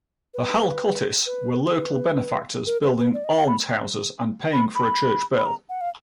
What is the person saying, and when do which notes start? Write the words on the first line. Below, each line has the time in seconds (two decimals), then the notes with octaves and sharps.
The Hallcottis' were local benefactors, building almshouses and paying for a church bell.
0.34 B4
1.26 B4
1.74 B4
2.67 A#4
2.82 B4
2.98 B4
3.14 D5
3.24 D#5
3.37 F5
3.47 B5
4.53 B5
4.75 B5
5.38 B5
5.46 A#5
5.69 F#5
5.81 F5